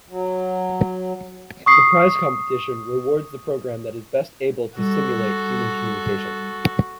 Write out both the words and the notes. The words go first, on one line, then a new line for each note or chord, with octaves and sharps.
The prize competition rewards the program that is best able to simulate human communication.
F#3
C#6 D#6 C7
G3 F#4 A4